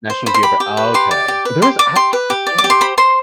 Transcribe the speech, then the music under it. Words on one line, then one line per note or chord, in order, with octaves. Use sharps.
National Geograf okay. There is actually yeah.
C5
C5 B5
C6
G4 B5
G4
B4
G4 C6
D5
G4
B4
G4 C6
D5 D6
G4 C6
B4
G4
D5
D6
G4
C6
C5 B5
C5 C6